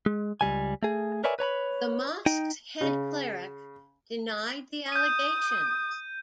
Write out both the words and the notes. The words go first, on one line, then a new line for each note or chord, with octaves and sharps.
The mosque's head cleric denied the allegations.
G#3
C#2 F#3 G3 G#5
A3 G#4
A#4 B4 C#5 D5 E5 G#5
B4 C#5 A#5 B5
D#4 G5
C#3
D#6 G6 D#7